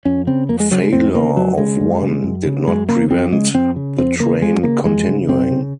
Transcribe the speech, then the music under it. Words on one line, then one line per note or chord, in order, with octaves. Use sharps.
Failure of one did not prevent the train continuing.
F2 C#4
C#3 C4
F2 A#3
G#3
C#3 F#3
G#3
F2 C4
C#3 A#3
F2 F#3
C#3 G#3
F#2
C#3
F#2
C#3
F#2 G#3
C#3 A#3
F#2 C4
C#3 G#3
F2 C4
C#3
F2 C4
C#3 A#3
F2 G#3
C#3 A#3
F2 G#3
C#3
F#2 C4
C#3